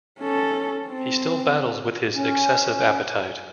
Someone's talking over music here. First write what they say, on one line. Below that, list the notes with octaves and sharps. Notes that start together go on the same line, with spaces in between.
He still battles with his excessive appetite.
C#4 A4
C4
C#4